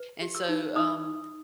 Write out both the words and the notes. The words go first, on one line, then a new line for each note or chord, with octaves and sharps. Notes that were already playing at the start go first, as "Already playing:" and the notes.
And so, um,
Already playing: B4
G4
E6
D#4
D#4 D#6